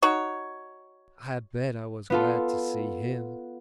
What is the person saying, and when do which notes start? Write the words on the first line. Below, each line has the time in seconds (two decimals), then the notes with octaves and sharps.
I bet I was glad to see him.
0.02 D#4 F#4 C#5
2.10 B3 F4 A4